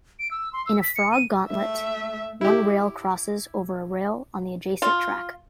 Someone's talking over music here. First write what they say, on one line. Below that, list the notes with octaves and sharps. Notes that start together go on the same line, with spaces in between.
In a frog gauntlet, one rail crosses over a rail on the adjacent track.
D7
E6
C6
E6
B6
C#7
D#7
A3 E5
E4 G4
F4